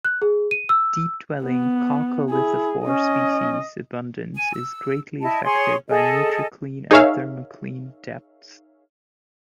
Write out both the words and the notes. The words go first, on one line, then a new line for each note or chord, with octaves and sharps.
Deep-dwelling coccolithophore species abundance is greatly affected by nutricline and thermocline depths.
F#6
G#4
D#7
E6
B3
E4 G#4
C#4 D#5
G#5
E6
E4 D#5 A5
G#4 C#5 C6
G#4 A4 D#5
D#4 G#4 A#4 C#5 E5 F5